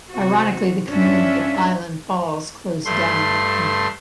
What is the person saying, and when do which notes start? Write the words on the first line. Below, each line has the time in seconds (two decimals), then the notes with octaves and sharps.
Ironically, the community of Island Falls closed down that year.
0.11 C3 C4 F#4
0.88 G2 C#4 D4 F4 E5
2.85 G2 A3 C6